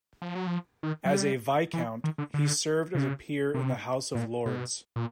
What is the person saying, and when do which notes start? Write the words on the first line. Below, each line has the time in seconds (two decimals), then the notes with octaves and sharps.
As a Viscount, he served as a peer in the House of Lords.
0.22 F3
0.35 F#3
0.47 F3
0.83 D#3
1.05 F#3
1.13 G3
1.73 E3
2.04 D#3
2.18 D3
2.34 D3
2.95 C#3
3.54 C3
4.15 A#2
4.46 B2
4.96 A#2